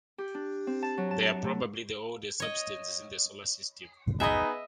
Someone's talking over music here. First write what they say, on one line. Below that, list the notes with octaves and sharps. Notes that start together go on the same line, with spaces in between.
They are probably the oldest substances in the Solar System.
G4
D4
C4
A5
F#3
A5
A5
A3
C#5 D#5
B3 D#4 G#4 B4 D#5 E5